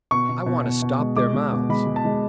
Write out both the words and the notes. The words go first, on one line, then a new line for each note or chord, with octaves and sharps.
"I want to stop their mouths."
B2 C#6
B2
B2
B2
B2
G#3
G#3 D6
G#3
B2
G#3 B5
G#3
A5
G#3